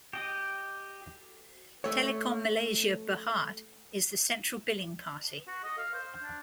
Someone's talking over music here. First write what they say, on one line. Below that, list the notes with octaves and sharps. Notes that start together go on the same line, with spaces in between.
Telekom Malaysia Berhad is the Central Billing Party.
G4 D#5
A3 C#5
F#4
D#5
F5
C5
D4